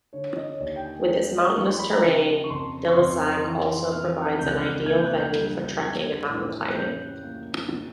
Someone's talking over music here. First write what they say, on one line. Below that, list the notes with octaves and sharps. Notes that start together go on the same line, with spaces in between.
With its mountainous terrain, Dilasag also provides an ideal venue for trekking and mountain-climbing.
D3 C#5
D#5
C#5
D#2 D5
G5
G#5
G#3
F3 C#6
C6
B5
A#5
C#3 A5
C#6
F2 C6
C#6
F2 C6
E3
B2 F6
C#2 G6
F#6
F6
F#6
A#3 G#6
G6
F#6
G6
G3
F#3 G#6
A2
F#6
C#4 G6
A#3
B2